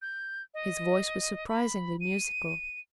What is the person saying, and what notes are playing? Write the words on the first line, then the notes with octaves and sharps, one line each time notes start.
His voice was surprisingly musical.
G6
D#5
B5
D#7